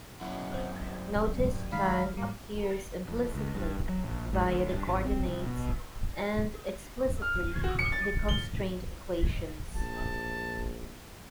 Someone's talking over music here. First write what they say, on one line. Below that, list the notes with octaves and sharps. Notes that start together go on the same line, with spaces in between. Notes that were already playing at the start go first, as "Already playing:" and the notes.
Notice time appears implicitly via the coordinates "and" explicitly in the constraint equations.
F#2 B2 C#4 E4 F#5
C4
G3
D#3 G#3 F5 B5
G#2 G3 A#3
F2
C#2
G2
F#3
A#1
G#2
D2
G2
G#1
C4
C2
B2
F6
F#4
C#7
A6
G7
A#1 A5